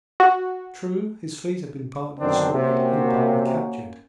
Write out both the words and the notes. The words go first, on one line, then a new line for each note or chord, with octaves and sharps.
True, his fleet had been partly destroyed and partly captured.
F#4
F#2 D3 D#3 B3 C4 D4
C3 A#3 C#4 F#4